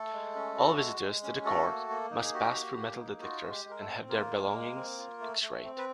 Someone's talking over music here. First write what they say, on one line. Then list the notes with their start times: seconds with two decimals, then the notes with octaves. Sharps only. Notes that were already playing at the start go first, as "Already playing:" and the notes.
All visitors to the Court must pass through metal-detectors and have their belongings X-rayed.
Already playing: A3 A4
0.13 G#3
0.35 C#4
0.57 F#4
0.79 G#3
1.01 G#3
1.23 C#4
1.44 A3 F#4 A4
1.67 A#3
1.90 A#3
2.11 D#4
2.24 G#4
2.34 F#4 G4
2.55 A#3
2.78 A#3
2.99 D#4
3.21 F4 F#4
3.41 G#3 F#4
3.51 G4
3.65 G#3
3.70 A#4
3.80 A3 A4
3.87 C4
4.09 A#3 F4 A#4
4.31 G#3
4.54 G#3
4.75 C4
4.98 F4
5.20 A3
5.42 A3
5.64 C4
5.78 B4